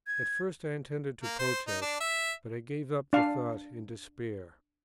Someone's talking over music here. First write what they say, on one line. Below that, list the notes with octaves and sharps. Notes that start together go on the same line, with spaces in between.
At first I intended to protest; but I gave up the thought in despair.
G#6
A#3
C5
D#4
D4
E5
D4 F5